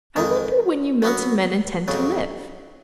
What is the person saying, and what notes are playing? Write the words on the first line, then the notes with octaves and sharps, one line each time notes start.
I wonder when you Milton men intend to live.
F2 D#3 G#3
F#3 B3 F#4
F2 C#3 F#3